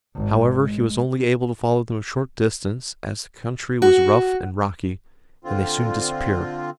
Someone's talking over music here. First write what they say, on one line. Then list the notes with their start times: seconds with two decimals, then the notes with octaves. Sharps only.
However, he was only able to follow them a short distance, as the country was rough and rocky, and they soon disappeared.
0.16 G#1
0.62 G#3
3.82 F#4
5.44 D3 C4 F4